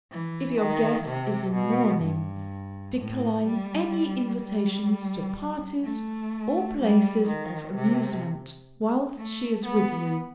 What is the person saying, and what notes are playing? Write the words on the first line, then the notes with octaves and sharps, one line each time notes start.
If your guest is in mourning, decline any invitations to parties or places of amusement whilst she is with you.
E3
D#3
C3
B2
G2
A2
G3
G3
A3
G3
D#3
C3
A3
B3